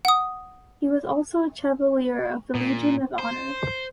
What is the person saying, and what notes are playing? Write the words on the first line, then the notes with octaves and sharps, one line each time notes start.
He was also a Chevalier of the Legion of Honour.
F#5 D#6
A#2
C5